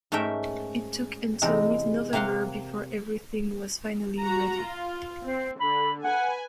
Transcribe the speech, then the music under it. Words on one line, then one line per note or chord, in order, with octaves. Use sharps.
It took until mid-November before everything was finally ready.
G#2 A3 C#4 A#4 E5 G5
E2 C3 G#3 D#4
C3 A#3 F5 F#5 C6
F#4 A#5
F4
C4 C5
D3 B5
B4 F#5 G#5